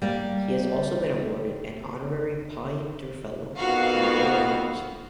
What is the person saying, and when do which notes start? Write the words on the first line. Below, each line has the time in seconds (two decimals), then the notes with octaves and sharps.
He has also been awarded an honorary Poynter Fellow from Yale University.
0.02 G3 A#3
3.58 F2 D#3 B3 F4 F#4 F5